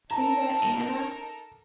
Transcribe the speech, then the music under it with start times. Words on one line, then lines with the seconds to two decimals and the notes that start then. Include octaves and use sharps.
'See that, Anna?
0.11 D#4 A4 A#4 A5 A#5